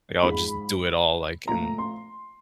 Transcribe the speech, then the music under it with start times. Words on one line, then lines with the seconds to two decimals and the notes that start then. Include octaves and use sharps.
like, I would just do it all like, and
0.23 G#2 F3 G#3 B5
1.48 A#2 F3 A3 A#5
1.78 C6